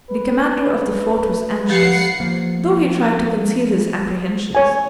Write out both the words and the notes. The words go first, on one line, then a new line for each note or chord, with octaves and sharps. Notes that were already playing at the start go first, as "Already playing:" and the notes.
The commander of the fort was anxious, though he tried to conceal his apprehensions.
B4
F3 G4 F#5 C7 C#7
F3 A#3
C#5 G#5